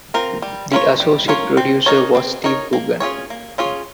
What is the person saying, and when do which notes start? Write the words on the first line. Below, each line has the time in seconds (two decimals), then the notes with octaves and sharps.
The associate producer was Steve Coogan.
0.14 C4 F4 A#4
0.42 G3
0.71 C#4 F4 A#4 C#5
1.00 G3
1.28 C#4 F4 A#4 C#5
1.57 C4
1.86 D#4 A#4 C#5
2.15 C4
2.44 D#4 A#4 C#5
2.73 A#3
3.00 C#4 F4 G#4 C#5
3.30 A#3
3.58 C#4 F4 G#4 C#5